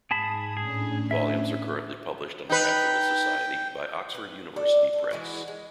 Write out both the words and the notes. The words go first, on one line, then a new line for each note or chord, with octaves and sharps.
Volumes are currently published on behalf of the Society by Oxford University Press.
G#2 G#4 A5 B5 D#6
A2 C#4 D4 G#4
E5
D#4 B4 G5
B4
A4 D5
A4
E3 G#3 E4 F#4
G#3